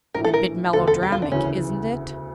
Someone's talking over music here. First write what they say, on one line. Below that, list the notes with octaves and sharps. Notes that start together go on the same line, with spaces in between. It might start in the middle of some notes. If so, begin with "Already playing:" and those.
A bit melodramatic, isn't it?
A#1 A2 E3 A#4
A4
A#4
E1 D2 D3 A4
A4
G4
F4
D4
D2 C#3 E3 C#4